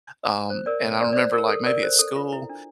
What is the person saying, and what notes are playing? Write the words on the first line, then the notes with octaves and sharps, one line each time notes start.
Um, and I remember, like, maybe at school,
C5
A#4 D5
A#4 D5
D5
C5
A#4
A4
A#4 D5
C5
A4
F4
E4
D4